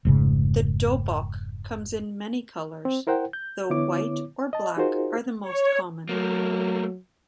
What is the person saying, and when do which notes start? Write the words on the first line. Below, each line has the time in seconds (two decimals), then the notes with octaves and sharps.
The dobok comes in many colours, though white or black are the most common.
0.05 F1 G#2 C#3
2.85 C4
3.07 E4 A#4 C5 F#5 G5
3.33 G6
3.70 D3 B3 E4 C#5 D6
4.53 D#5 A5
4.77 D#4 F4 F#4 G#4 A#4 C5
5.42 C#5
6.09 F#3 A3 A#3